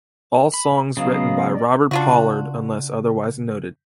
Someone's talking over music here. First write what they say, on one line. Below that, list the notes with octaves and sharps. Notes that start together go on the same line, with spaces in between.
All songs written by Robert Pollard unless otherwise noted.
B5
C#3 F#3 B3 D#5 F5 D#6
D5 D#5
C#3 D4 F4 F#4